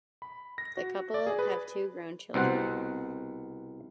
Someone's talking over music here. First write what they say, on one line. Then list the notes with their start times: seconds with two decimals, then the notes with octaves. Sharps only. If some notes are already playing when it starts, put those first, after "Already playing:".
The couple have two grown children.
0.22 B5
0.58 A#6
0.77 F#4
1.14 D5
1.27 G#4
1.39 B4
2.34 C2 B2 C5 F#5